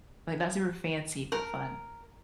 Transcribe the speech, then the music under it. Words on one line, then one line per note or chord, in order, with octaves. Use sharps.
like, not super fancy, but fun.
A#4